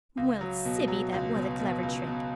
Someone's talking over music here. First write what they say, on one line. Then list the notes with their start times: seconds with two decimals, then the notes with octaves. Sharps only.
Well, Sibby, that was a clever trick!
0.17 C#2
0.41 F#3
0.65 B2
0.88 F#3
1.12 C#2
1.35 B2
1.59 B2
1.83 C#2
2.07 B2